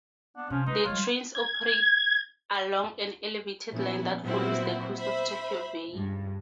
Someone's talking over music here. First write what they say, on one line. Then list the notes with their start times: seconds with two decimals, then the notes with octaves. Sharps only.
The trains operate along an elevated line that follows the coast of Tokyo Bay.
0.37 B3 D4 F#5
0.50 C3 F3 C#4
0.66 G#3 D#4 B4 C6
0.85 D#3 F3 G3 G#3 F4 C#5
1.35 G#6
3.72 A#2 F3 B3 C#4 E4
4.23 A#2 F#3 B3 C4 E4 F#4
4.97 C5 E5 B5
5.90 C#2 G2